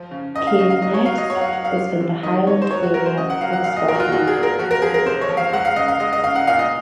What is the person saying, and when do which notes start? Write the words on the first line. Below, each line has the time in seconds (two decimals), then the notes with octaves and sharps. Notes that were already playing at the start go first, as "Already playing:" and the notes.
Caithness is in the Highland area of Scotland.
Already playing: F3
0.11 C#3
0.34 C#3 D#5
0.47 F5
0.58 C#3 D#5
0.70 F5
0.82 F#3 D#5
0.94 C#5
1.06 F#3 F5
1.18 D#5
1.30 F#3 C#5
1.35 F#5
1.41 F5
1.52 F#3 F#5
1.65 F5
1.76 C3
2.00 C3
2.23 D#3 D#5
2.47 C3 C#5
2.62 C5
2.71 F#3 C#5
2.83 F#4
2.93 F#3 A#4
3.06 C5
3.17 C#3 D#5
3.30 F#5
3.41 F#3 F5
3.53 F#5
3.64 A#2 F5
3.77 D#5
3.88 A#2 A#4
3.95 F#4
4.00 F4
4.11 A#2 F#4
4.27 G#4
4.36 A#2
4.43 A#4
4.59 F3 F#4
4.71 A#4
4.82 F3 G#4
4.94 A#4
5.06 C3 C5
5.21 C#5
5.29 F3
5.37 F5
5.53 G#3 F#5
5.65 F5
5.76 C#3 D#5
5.88 F5
6.00 G#3 D#5
6.13 D#5
6.24 C#3 F5
6.35 F#5
6.47 A#2 F5
6.59 D#5